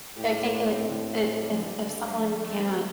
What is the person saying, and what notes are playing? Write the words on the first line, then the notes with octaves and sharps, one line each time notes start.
I think it it if if someone can't
A2 G4
D4
F4
D4
C4
A2 D3
G3
F3
G2 D3
D3
F3
G3
A3
A3
C4
A3